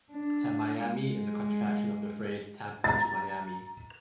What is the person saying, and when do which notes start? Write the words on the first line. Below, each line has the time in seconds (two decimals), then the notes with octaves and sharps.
Tamiami is a contraction of the phrase "Tampa to Miami".
0.11 D4
0.83 G#3
2.84 A#5 A6